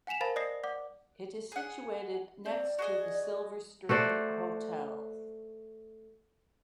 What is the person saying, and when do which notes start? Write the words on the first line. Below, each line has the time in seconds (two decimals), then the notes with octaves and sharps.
It is situated next to the Silverstream Hotel.
0.07 F#5 G#5 B6 E7 F7
0.21 A#4 C5 F5 A5 B5 A6
0.36 D5 D#5 D#6 A#6 C7
0.64 D5 F#5 D6
1.52 G#4 F#5
2.46 C4 D5
2.79 F#4 G#4 D#5
3.89 A3 F#4 C5 D5